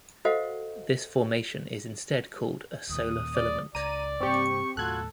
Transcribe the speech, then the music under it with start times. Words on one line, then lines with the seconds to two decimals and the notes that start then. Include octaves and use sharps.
This formation is instead called a solar filament.
0.25 F#4 A4 C5 D#5 F5 F#5
2.89 D#2 A#2 D#6
3.36 D5
3.75 C#2 D5 A#5 D#7
4.20 G2 C3 C4 G4 C#6
4.77 D#2 A2 A3 F4 F#4 A4 F#6 G#6